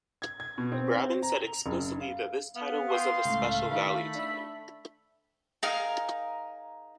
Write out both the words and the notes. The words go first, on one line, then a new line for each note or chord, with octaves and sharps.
Braben said explicitly that this title was of a special value to him.
G#6
G#6
B2
C4
C4
A#5
F7
F#1
F5
B3 F5
G5 C6 D#6
C#2 A2 A3
D#3 D#4 E4 B5
D4 E5
D#4 G#4 A#4 F5